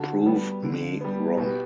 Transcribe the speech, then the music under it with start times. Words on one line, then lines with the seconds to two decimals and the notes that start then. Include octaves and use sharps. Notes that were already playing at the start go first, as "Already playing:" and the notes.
Prove me wrong.
Already playing: D3 F#4 A4
0.26 G3 B3
0.63 D3
1.01 G3 B3
1.37 B2 G4 B4